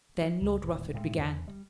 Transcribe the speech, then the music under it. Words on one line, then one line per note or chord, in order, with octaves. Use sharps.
Then Lord Rufford began.
F3
C#2
D#1 A2
A2 G#3
E2 C#3
G3